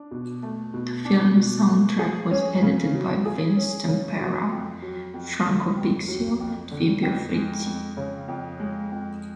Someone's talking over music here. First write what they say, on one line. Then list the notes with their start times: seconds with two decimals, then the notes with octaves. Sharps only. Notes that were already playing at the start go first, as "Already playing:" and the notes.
The film soundtrack was edited by Vince Tempera, Franco Bixio and Fabio Frizzi.
Already playing: D4
0.11 B2
0.43 A3
0.74 B2
1.05 D4
1.37 B2
1.69 A3
1.99 G#4
2.31 C#4
2.62 C#3
2.94 F#3
3.25 G#4
3.56 C#4
3.88 C#3
4.19 F#3
4.51 F2
4.82 F#3
5.14 F2
5.46 D3
5.77 F2
6.08 F#3
6.40 F2
6.71 D3
7.02 F2
7.34 G#3
7.65 F2
7.97 C#3
8.28 F2
8.60 G#3
8.91 F2